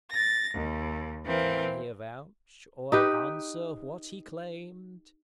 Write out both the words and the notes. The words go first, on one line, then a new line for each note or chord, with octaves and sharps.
Can he avouch, or answer what he claimed?
A6 A#6
D#2
E3 C4 A#4 F5
D#4 G4 B4